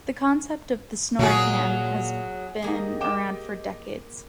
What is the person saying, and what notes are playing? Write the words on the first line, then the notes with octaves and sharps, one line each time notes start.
The concept of the SnorriCam has been around for decades.
A#2 F#3 F#4 G#4
A#3 G4 G#4 D#5
G5 D6 E7